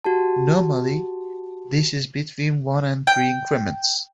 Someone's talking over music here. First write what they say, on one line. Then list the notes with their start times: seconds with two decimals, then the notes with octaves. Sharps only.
Normally this is between one and three increments.
0.04 F#4 G4 A5
3.07 G5